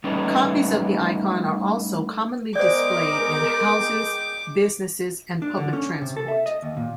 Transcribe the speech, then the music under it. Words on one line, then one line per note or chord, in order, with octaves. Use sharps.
Copies of the icon are also commonly displayed in houses, businesses, and public transport.
G3 A3 C#4 D#4 B4 D#5
G#3 B3 G#4 A#4 C5 D5 G5 D6
D4
D3
C#4
C3
A4
E5
D#5
D#2
A#2